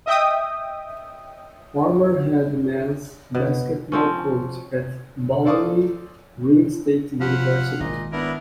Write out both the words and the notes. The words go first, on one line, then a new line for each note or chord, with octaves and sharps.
Former head men's basketball coach at Bowling Green State University.
D#5 E5 G5 D#6
B2
F3 C4 C#4
A4 C5 D5 F5 C#6 D#6
F3 F5 F#5 B5
G#1 A#2 D#5
B3 D4 E4 A#4